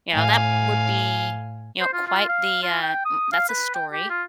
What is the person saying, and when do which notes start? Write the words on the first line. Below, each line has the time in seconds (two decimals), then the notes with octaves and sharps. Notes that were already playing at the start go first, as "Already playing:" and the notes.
You know, that would be, you know, quite the, uh, m "That's a story.
0.13 A2 F5 G#5
1.80 C5
1.93 F4
2.07 F4
2.29 F5
2.63 F4
2.82 G5
3.05 D#6
3.32 F5
3.49 B4
3.74 G5
3.92 G4
4.10 F4